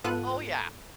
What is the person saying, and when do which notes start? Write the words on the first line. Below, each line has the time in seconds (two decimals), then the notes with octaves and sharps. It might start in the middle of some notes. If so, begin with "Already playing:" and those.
Oh, yeah.
0.04 G#2 B3 F4 A4 F#6 D#7